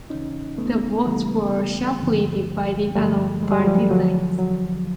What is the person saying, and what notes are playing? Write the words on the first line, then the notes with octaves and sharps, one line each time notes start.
The votes were sharply divided along party lines.
C#2 C#3 E3 C#4 D#4
A3 B3
C#2 C#3 E3 G3 A3
G2 D3 F3
G2 D3 F3 G3 A3
G#3
G3
F#3
F3 G3
D2 D3 F3 F#3
F#3